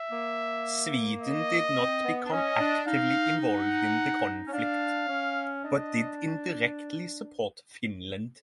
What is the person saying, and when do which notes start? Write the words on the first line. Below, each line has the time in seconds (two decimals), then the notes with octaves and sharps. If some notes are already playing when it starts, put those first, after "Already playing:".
Sweden did not become actively involved in the conflict, but did indirectly support Finland.
Already playing: E5
0.11 A#3
1.21 D#5
1.77 C4
2.05 B3
2.25 D4
2.32 C#4 D#5
2.60 D4
2.87 D#4 F5
3.43 F#5
4.47 C#4
4.53 D4 F5
5.08 C#4
5.64 D4 D#5